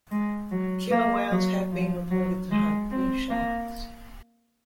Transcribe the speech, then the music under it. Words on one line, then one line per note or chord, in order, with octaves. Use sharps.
Killer whales have been reported to hunt blue sharks.
G#3
F#3
A#3
F#3
F3
F#3
G#3
C4
A#3